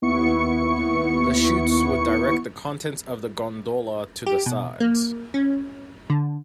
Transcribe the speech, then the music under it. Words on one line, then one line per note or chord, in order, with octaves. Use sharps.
The chutes would direct the contents of the gondola to the sides.
D#2 B3 E4 C#6 C#7
G4
B2
A#3
C#4
D3